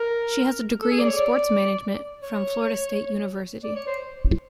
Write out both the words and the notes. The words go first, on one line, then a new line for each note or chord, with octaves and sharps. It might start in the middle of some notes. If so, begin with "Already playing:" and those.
She has a degree in sports management from Florida State University.
Already playing: A#4
A4
G#4
D5
C#5
D5
C#5
D5
C#5
C5